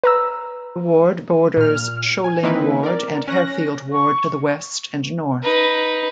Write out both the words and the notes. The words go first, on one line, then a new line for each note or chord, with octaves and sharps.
The ward borders Sholing Ward and Harefield Ward to the west and north.
B4 A#5 E6
A#2 F6
G#5
D#3 A#3 C4 D#4 E4 B4
A#4 D5
C#4 F#6 A#6
C#6
D#4 B4